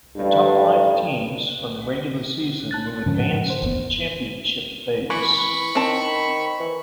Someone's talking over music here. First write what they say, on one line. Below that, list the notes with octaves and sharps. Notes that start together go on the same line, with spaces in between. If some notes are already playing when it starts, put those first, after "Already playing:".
The top five teams from the regular season will advance to the championship phase.
A1 G2
A5 F#6 A6
G#2 C#3 F3 C#4 A5
A2 F#5
C5
F#1 E2 B3
E3 B5 C#6
D#3 C4 A5
E3